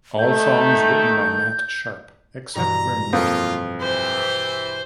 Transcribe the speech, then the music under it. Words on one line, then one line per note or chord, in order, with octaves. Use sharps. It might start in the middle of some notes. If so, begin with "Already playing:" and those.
All songs written by Matt Sharp, except where noted.
D#3 A3 G6
G2 B2 E3 A#5
F2 A#3 F4 D#6
E3 G4 C5